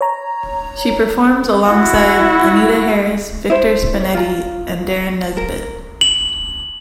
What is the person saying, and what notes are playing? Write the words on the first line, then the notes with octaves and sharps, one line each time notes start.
She performs alongside Anita Harris, Victor Spinetti, and Derren Nesbitt.
C#5 A#5
E4 F#4
E4 C5
C#5
F4 A#5
A#4
F#7